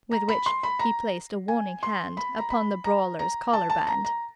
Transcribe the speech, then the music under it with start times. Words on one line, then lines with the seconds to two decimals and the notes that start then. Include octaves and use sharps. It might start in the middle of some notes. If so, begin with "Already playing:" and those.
With which he placed a warning hand upon the brawler's collarband.
0.11 A#5
0.28 B5
0.46 C6
0.63 B5
0.79 A#5
1.48 G#5
1.83 C6
2.17 B5
2.38 A#5
2.50 B5
2.84 A#5
3.19 A#5
3.53 A5
3.70 A5
3.87 A#5
4.05 A#5